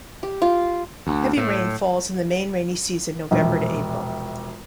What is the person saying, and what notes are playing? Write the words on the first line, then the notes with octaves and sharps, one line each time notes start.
Heavy rain falls in the main rainy season November to April.
G4
F4
D2
A2
E1 A#1